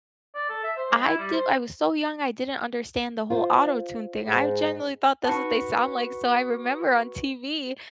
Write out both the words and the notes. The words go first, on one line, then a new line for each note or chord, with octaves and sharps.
I di I was so young I didn't understand the whole Auto-Tune thing, I genuinely thought that's what they sound like. So I remember on TV
D5
A4
E5
C5
G#3
E4
G3
C5
F4 C5
G#2
D#4 F#4 B4 A5 C#6